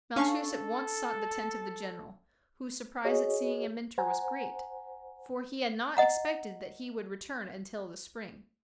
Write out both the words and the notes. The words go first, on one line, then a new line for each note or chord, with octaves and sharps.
Malchus at once sought the tent of the general, whose surprise at seeing him enter was great, for he had not expected that he would return until the spring.
C#4 D4 A4 F5 A5 C#6
F#4 G#4 C#5 D#5
C5 F#5 G#5 A#5
D#5 F#5 A#5